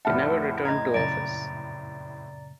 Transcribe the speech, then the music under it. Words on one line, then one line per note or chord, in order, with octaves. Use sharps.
He never returned to office.
F1 A2 E5 F#5 A5 F6
D#5 A#5 G#6
F#2 A#2 C#3 D5 A#5 A6 D7